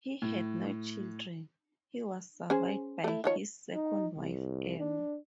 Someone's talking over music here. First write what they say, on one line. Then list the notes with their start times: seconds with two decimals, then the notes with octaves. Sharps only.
He had no children; he was survived by his second wife Emma.
0.22 A2
2.50 C#4 G#4 C5
3.04 A3 E4
3.24 D#3 F3 C#5
3.74 D#4
4.16 C2
4.79 D4